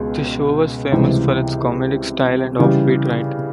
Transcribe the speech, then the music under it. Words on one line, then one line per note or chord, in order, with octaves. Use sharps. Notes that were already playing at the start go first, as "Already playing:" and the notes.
The show was famous for its comedic style and offbeat writing.
Already playing: C#2 B2 G#3
C#2 C3 E3 G3 C4
C#3 E3 G3